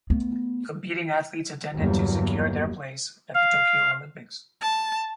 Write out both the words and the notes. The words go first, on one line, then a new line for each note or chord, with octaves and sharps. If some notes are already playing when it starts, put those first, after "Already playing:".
Competing athletes attended to secure their place at the Tokyo Olympics.
A3 B3
G1 E2 F#3 G3 A#3
F5
A5